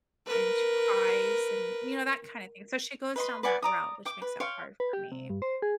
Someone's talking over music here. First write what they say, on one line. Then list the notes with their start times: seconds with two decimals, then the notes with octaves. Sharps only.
and she cries and, you know, that kinda thing. So she goes down that route, which makes it hard for me.
0.26 A#4 B4
3.16 B4 D#5 C6
3.43 B4 D5 F#5 G#5
3.62 D5 A#5 D#6
4.05 G5 D6
4.22 B4
4.40 C#5 F5 G5 C6
4.80 B4
4.93 G4
5.12 C3
5.30 G2
5.42 C5
5.62 G#4